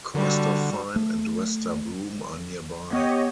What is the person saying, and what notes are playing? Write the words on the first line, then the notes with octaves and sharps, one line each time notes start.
Corstorphine and Wester Broom are nearby.
D3 G3 F#4
A3
B3 G4 C#5 D#5